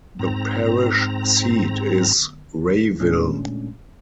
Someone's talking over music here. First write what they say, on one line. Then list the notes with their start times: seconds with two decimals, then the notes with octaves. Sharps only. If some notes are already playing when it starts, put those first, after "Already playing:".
The parish seat is Rayville.
0.19 G#2 C4 A#5
3.00 A#2 G#3 A3 C#4 D4